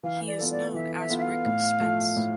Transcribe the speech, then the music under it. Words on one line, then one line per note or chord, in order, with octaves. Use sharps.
He is known as Rick Spence.
E3 F5
D5
B3 F4 A4
D5
E3 E5
E5
B3 F4 A4
E5
F5
A2
F3 A3
A2